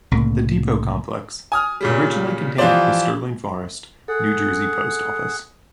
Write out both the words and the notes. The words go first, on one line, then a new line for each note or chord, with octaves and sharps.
The depot complex originally contained the Sterling Forest, New Jersey post office.
C2 A2 C#3 A#3
G#5 D#6 F6
A#2 C#3 G3
E3 F3 F4 G4 C5 D5
G#4 A4 F#5